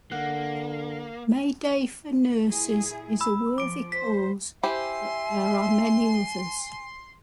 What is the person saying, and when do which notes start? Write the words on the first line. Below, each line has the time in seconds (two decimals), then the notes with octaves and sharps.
Mayday for Nurses is a worthy cause, but there are many others.
0.11 D3 A#3 F#5
2.46 A#2 E4 G#4
3.21 B5 E6
3.58 F3 D6 D7
3.92 C5 B6
4.63 E4 G4 C5 E5 G#5 C6